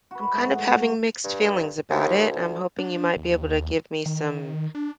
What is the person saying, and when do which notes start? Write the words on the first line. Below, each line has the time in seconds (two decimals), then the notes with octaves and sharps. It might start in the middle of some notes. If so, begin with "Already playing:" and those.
I'm kind of having mixed feelings about it. I'm hoping you might be able to give me some
0.11 F#4 B4
0.33 G#2 F#3 A3
0.70 A3
1.24 G2
1.90 D#2
2.29 D2
2.78 D4
3.17 D#2
4.06 D#3
4.75 D4